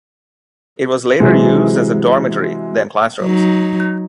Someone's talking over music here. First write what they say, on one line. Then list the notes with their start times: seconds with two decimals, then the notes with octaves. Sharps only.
It was later used as a dormitory, then classrooms.
1.20 C3 E3 F#3 G#3
3.22 F#3 D#4